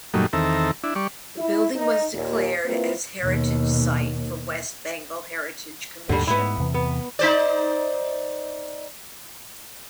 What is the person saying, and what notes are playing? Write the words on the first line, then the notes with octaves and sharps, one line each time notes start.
The building was declared as heritage site by West Bengal Heritage Commission.
F#2 A#2 F#3 G3 A3 D#4
E2 D#3 C4 A4 E5 A#5
D4 E4
G3 D5 C#6
E4
D#4
D#2 A#2
A#3 C4 E4 F4 B4
D#2 B2
D#2 G#2 D3 G3
G#2 B3 E4
E2 C3 E3
B3
D#4 C5 D5